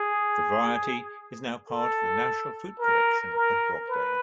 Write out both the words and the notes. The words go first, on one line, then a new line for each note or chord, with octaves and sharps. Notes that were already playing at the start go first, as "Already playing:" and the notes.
The variety is now part of the National Fruit Collection at Brogdale.
Already playing: G#4
A4
A#4
A#4
B4